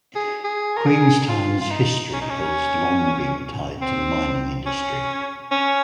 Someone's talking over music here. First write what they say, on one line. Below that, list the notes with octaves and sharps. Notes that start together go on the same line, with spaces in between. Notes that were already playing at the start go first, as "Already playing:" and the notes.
Queenstown's history has long been tied to the mining industry.
G#4
G#4
A#4
G#4
F4
F4
D#4
C#4
D#4
C#4
C4
C#4
C#4